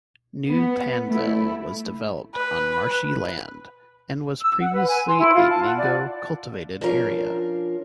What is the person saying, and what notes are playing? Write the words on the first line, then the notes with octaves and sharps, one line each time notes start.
New Panvel was developed on marshy land and was previously a Mango cultivated area.
B3
A3 E4
B4
E6
F#5
B4
G#5
C6
E4
F4
A5
F#5
D5
F3 C#4 D4 F4 A#4 F5